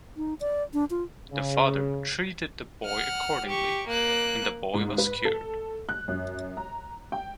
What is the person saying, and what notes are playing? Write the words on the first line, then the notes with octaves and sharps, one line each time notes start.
The father treated the boy accordingly, and the boy was cured.
D#4
D5
D4
F4
C#3
F#5 F6
G4 C#6
A#3 F#6
G#2
B4
A4
F#6
F#2
A#5
G5